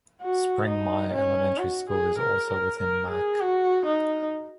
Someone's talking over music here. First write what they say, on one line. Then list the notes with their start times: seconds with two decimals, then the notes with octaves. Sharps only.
Springmyer Elementary School is also within Mack.
0.22 F#4
0.67 D#4
1.14 C#4
1.58 F#4
1.89 G#4
2.19 A#4
2.50 A#4
2.79 A#4
3.10 G#4
3.41 F#4
3.86 D#4